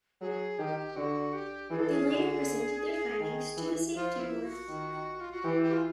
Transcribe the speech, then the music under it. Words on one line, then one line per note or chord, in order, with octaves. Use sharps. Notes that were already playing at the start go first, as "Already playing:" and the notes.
They later presented their findings to the safety board.
F#3 G#4
D#3 G4
D3 F#4
G4
E3 G#4
A4
G#4
D3 G#4
D#3
E3
F3 F4
E4
F#4
D#3
F4
F#4
E3 G4
G4
F4